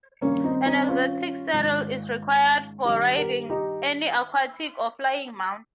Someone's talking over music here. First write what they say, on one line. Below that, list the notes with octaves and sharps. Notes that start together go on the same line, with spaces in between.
An exotic saddle is required for riding any aquatic or flying mount.
G2 D#3 A#3 C#4
C4 D#4
C4 D#4
C#4 F4
G#2 D#3
G2 D#3 D#4 G4
G4 A#4
D#4 G4